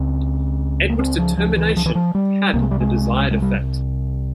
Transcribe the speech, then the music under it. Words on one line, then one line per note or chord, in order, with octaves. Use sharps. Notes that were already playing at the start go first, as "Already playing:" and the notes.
Edward's determination had the desired effect.
Already playing: C#2 C#3 C4
A#3
C4
F3
F3
E3
F3
E3
F3
G3
C2 C3 A#3
G#3
G3
G#3
G#3
G3